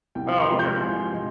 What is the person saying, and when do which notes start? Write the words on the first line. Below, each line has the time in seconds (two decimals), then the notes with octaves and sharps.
Oh, okay.
0.15 C2 G5
0.38 C6
0.48 C3 F3 G#3
0.59 G6
0.81 C2 G#5
1.14 C3 F3 D#5